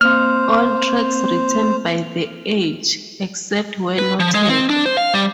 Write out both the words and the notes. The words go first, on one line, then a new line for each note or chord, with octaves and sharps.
All tracks written by The Edge except where noted.
A#3 C4 C5 F6
B4
F3
G#3
C4
D4
C5
F5
G3